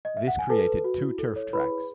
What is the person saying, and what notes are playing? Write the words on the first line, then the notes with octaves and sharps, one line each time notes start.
This created two turf tracks.
D#5
E5
F#5
G#5
A4 B4 A5
B4
F#4
E4
A4
C#5
E4 B4 B5
G#4